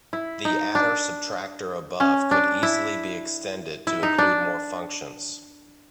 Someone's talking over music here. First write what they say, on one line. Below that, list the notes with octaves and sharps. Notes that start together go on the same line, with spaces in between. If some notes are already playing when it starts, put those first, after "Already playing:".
The adder-subtractor above could easily be extended to include more functions.
E4
D#4
D4
C#4
D4
E4
E4
D#4
D4